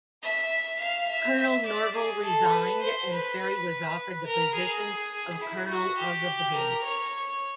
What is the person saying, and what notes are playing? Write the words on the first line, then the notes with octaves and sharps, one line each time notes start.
Colonel Norvell resigned and Ferry was offered the position of Colonel of the Brigade.
E5
F5
E5
E5
D5
G#4
A4
B4
C5
B4
B4
A#4
G#4
E4
F#4
G4
A#4
C#5